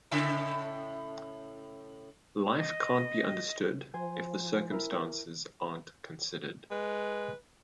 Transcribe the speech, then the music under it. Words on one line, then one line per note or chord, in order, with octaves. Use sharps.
Life can’t be understood if the circumstances aren’t considered.
A2 C#3 E5
D#5
F3 C5 G#5
E4 A#4
G#3 B4